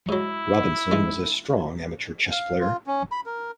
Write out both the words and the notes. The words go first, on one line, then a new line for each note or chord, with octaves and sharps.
Robinson was a strong amateur chess player.
G#2 F#3 E4
E3 G#3
F5
F4
C#4
B5
A#4